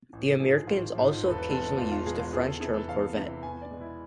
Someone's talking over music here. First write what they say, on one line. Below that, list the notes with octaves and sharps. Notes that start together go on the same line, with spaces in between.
The Americans also occasionally used the French term corvette.
A1
G#2 F3 G#4
G#4
A1 F4
G#2 F3
E1 B4
A4
B4
E2 B2 G#3 A4
E1 F4
F4
E2 B2 G#3 G#4
F4
E2 G#4
A4
C3 E3 G#4
A4
E2 F5
C3 E3
E2 G#5
D5
B2 G#3
E4